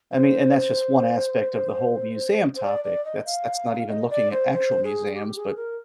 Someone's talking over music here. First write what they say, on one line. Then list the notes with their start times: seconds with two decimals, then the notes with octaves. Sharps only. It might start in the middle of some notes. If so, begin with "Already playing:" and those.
I mean and that's just one aspect of the whole museum topic, that's that's not even looking at actual museums, but
0.12 C5
2.56 C5
2.63 D5
2.84 D5
3.05 D#5
3.26 F5
3.88 D#5
4.10 D5
4.31 C5
4.52 C5
4.84 G#4
5.15 G4
5.36 G#4
5.56 A#4